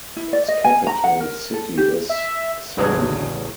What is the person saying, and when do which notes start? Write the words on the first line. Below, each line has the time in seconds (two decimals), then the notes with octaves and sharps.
Its capital city is Semily.
0.16 E4
0.33 D5
0.48 D#5
0.64 G#5
0.87 A#5
1.04 F#5
1.20 A#4
1.54 A4
1.77 G4
2.09 E5
2.77 A1 E2 A2 C#3 F#3 G#4